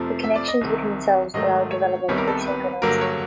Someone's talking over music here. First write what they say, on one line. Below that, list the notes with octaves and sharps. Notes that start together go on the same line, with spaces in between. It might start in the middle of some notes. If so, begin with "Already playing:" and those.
The connections between cells allow development to be synchronised.
Already playing: F2 C3 F3 A3
E5
D5
D#5
C2 C3 D#3
G#2 D#3 F#3 A3 D#5
C#5
C2 C3 D#3 G3 B3 C#5
A#4
A4
B4
G2 D3 F#3 A#3 A#4
C#5